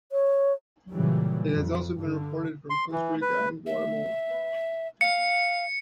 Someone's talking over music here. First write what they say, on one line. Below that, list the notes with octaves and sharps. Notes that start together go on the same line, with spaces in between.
It has also been reported from Costa Rica and Guatemala.
C#5
A#2 C#3 E3 F#3 G3
F2
G2 D3
C6
E3
B4
E5
F5 C#7